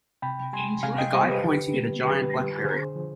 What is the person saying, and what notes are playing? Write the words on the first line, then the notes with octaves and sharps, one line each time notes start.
A guy pointing at a giant Blackberry.
C3 G5 B5
G3 G#5 C6
C3 F5 G#5
D#5 G5
G3 C5 D#5
G4 B4
D3
G3
D3 G4 B4
G3
D3 G#4 C5
F3